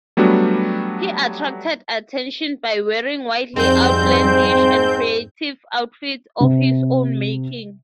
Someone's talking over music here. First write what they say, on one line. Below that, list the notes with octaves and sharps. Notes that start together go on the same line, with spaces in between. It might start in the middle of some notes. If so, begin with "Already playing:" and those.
He attracted attention by wearing wildly outlandish and creative outfits of his own making.
F#3 G3 A3 B3 D4 F#4
F2 G#2 G3 C4 C5 G6
C3